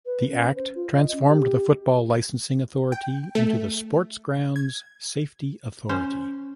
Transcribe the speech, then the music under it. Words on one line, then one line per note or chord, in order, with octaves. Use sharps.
The Act transformed the Football Licensing Authority into the Sports Grounds Safety Authority.
B4
C#4
C5
F4
D#5
C#4
G4
G5
A3
G#6
C#4 C5